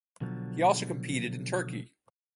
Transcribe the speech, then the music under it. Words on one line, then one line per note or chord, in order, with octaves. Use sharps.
He also competed in Turkey.
B2 D3 F3 F#3